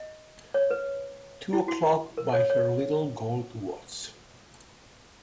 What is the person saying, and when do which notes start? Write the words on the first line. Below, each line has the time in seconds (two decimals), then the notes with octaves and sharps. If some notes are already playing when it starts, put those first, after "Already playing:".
Two o'clock by her little gold watch.
Already playing: D#5
0.54 C#5
0.71 B4
1.53 E4
1.68 F#4
2.17 A#4
2.33 C#5
2.50 C#5